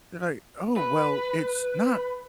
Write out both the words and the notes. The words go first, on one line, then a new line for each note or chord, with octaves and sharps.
They're like, "Oh, well, it's not
B4